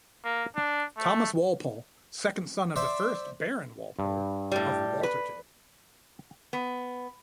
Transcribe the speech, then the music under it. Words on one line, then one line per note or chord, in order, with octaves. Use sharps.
Thomas Walpole, second son of the first Baron Walpole, of Wolterton.
A#3
D4
A3
C5 D5 E5
G2
A2 G3
B4
B3